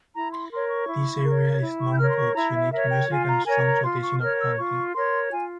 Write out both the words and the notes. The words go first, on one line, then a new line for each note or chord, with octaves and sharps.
This area is known for its unique music and strong tradition of hunting.
E4 A#5
C6
A#4 C#5 C6
C#6
E4
A#4 C#5
E4
C#6
G6
A#4 C#5 F6
C6
C#6
E4 A#5
E5
A#4 C#5 E5
G5
F4 G#5
A#5
A#4 C#5 G#5
A#5
F4 C6
C#6
A#4 C#5 F6
E6
F4 C#6
A#4 C#5 C6
F4 G#5